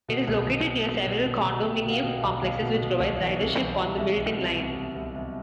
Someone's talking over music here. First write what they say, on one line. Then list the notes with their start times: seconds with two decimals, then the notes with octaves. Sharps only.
It is located near several condominium complexes, which provides ridership on the Milton Line.
0.08 B2
0.28 B1
0.47 B1
0.66 B1
0.86 B2
1.06 B2
1.25 B2
1.44 B2
1.63 B2 G4
1.84 B2
1.90 F5
2.03 B2
2.16 F5
2.23 B1
2.42 B1 F5
2.62 B2
2.82 B2
3.00 B1
3.20 E3
3.39 C2
3.60 E3
3.78 C2
3.98 C2 E5
4.17 E3
4.37 C3
4.57 C2
4.76 C2
4.95 C2
5.15 C2